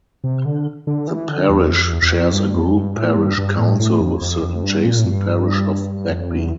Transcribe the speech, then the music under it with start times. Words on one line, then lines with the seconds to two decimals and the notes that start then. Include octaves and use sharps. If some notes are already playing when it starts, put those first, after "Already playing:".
The parish shares a grouped parish council with the adjacent parish of Bagby.
0.24 C3
0.45 D3
0.87 D3
1.08 E3
1.28 D3
1.49 E2
1.71 F2
1.91 E2
2.02 E2
2.12 F2
2.33 G2
2.54 F2
2.74 G2
2.96 A2
3.17 G2
3.38 G2
3.58 A2
3.79 A2
4.00 F2
4.21 F2
4.42 F2
4.63 G2
4.84 A#2
4.99 A2
5.05 G2
6.09 F2
6.30 E2